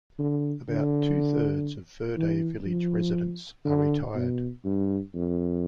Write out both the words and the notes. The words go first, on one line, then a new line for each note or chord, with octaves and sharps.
About two-thirds of Verde Village residents are retired.
D3
D3
E3
F3
D3
B2
G2
F2